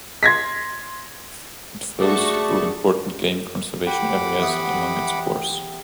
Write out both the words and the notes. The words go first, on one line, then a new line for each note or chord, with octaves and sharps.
It flows through important game conservation areas along its course.
C6 G#6 A#6 B6
A3 F#4 G#4 D5 A5 C#6
G4 F#5 B5 D6
E3 B3